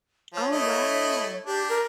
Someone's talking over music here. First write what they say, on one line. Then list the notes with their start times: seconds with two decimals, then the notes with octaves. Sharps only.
Oh, wow!
0.34 F3 C#5
0.52 A3 E4 D#5
1.46 D4 G4
1.69 A#4